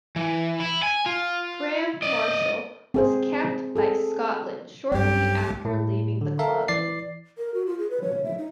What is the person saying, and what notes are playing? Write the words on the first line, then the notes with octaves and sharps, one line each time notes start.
Graham Marshall was capped by Scotland shortly after leaving the club.
E3
E4
G#5
F4
D5 D#5
C4 G#4 C5
G#4 A4
B1 G2 C4 G4 G5
A2
D3
A4 A#4 E5 F5
E3 D5 A6 C7
A#4
F#4
F4
G#4
B4
C#5
E5
D#4